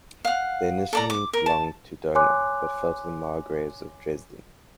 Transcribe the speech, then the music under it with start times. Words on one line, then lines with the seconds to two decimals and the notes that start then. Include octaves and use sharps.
They initially belonged to Dohna, but fell to the Margraves of Dresden.
0.25 F5 F#5
0.93 A4 D5 A#5
1.10 D6
1.33 A#4
1.46 A5
2.15 C#5 G#5 C6 D6 F#6